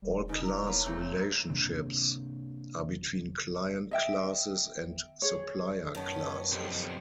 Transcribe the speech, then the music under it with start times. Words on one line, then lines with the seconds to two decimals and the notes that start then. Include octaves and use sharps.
All class relationships are between client classes and supplier classes.
0.02 E1 G3
0.29 C#3 D#4
0.43 E4 A#5
0.67 A#3 B4 C#5
0.86 A#2 A3 C4
1.50 C3 A#3 C4 D4
3.91 D#5 E5 G5
5.22 G#4 C#5
5.95 F#2 D#3 B3 C#4 A5
6.52 B1 F2 G4